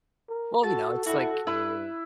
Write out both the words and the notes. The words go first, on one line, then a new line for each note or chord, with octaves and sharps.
Well, you know, it's like
A#4
F#4 A4 A5
E4 F#4
G2 E4 B4